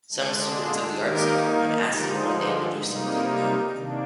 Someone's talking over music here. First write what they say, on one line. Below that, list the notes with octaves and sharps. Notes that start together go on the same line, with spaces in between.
Some students of the Arts Department asked him one day to do something new.
D3 G#3 D4
F4 G#4
D#3 A#3 D#4 G4 A#4
D3 F3 G#3 D#4 G4 A#4
D#4 G4
C3 G3 A#3 D#4
C3 D#3 A#3 D4